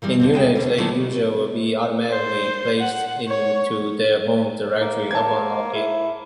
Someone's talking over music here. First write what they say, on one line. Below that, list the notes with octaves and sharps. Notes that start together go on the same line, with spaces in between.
In Unix, a user will be automatically placed into their home directory upon login.
D#3 E3 G3 C4
D#2 D3 C4
D#2 G#3 G5
B2 D3
D3 D#3 F#3 A3 E4
C5
F#5
C#5
A#3
A5 G#6
E4